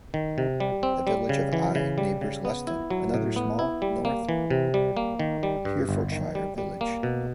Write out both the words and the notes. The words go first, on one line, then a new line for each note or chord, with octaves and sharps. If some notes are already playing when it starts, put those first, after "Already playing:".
The village of Eye neighbours Luston, another small north Herefordshire village.
D#3
C3
G3
C4
G3
C#3
E3
C#3
G3
C#3
B3
E4
F#3
A2
B3
E4
G3
A#3
E3
C3
G3
A#3
D#3
G3
G2
G1
D#3
G3
G3
A#3
B2